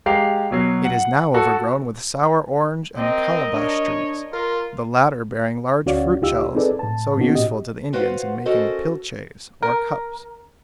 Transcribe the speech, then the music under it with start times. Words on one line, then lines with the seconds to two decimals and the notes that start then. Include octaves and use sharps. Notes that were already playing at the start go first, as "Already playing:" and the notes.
It is now overgrown with sour orange and calabash trees, the latter bearing large fruit shells so useful to the Indians in making pilches or cups.
0.06 G#3 G4 F5 A#5 C7
0.51 B2 F#3 C7
0.85 F#5
1.34 F#4 A4
2.97 C4 A#4 D#5
3.54 D4 C#5
4.33 F4 A#4
5.86 D2 C#4 F#4 C#5 D5 F5
6.22 C#2 D#4 F4 G4 F5 E6
6.55 C4 D#4 G#4 A4 B4 D5
6.79 A2 A5
7.17 A#2 A#3 B3 C#4 D#4 F#4
7.34 A2 G4 D#5
7.93 F4 F#4 B4 C5 F5 F#5
8.45 C#4 F#4 A4 A#4 C5 D#5
9.62 A#4